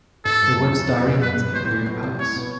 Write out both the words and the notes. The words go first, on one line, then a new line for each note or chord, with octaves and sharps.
The words "dairi" means "imperial palace".
G#2 A4
G2
F#2
E2
E2
F2
F#2 B4
G2
B1 B2 C5
A2
A#2
B1 B2
C2 C3
A2 C#5
B2